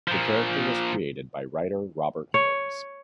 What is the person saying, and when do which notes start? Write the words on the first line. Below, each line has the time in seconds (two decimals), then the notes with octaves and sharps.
The character was created by writer Robert Holmes.
0.08 A#2 F3
2.34 C#5